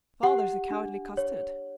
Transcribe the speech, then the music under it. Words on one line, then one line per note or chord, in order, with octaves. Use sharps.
"Father's a cowardly custard."
G4 F#5
D4
C#5